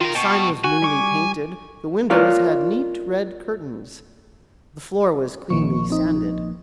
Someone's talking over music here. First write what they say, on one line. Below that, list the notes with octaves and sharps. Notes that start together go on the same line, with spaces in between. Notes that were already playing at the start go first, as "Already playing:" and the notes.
The sign was newly painted; the windows had neat red curtains; the floor was cleanly sanded.
D#3 F4 A#4
B2 G5 A5 C#6
F#4 G#5
G3 C#6 D6
F4 A#4 C#5 D5 F5
A#1 A#2 D#3 F3 C#6
C4 D#4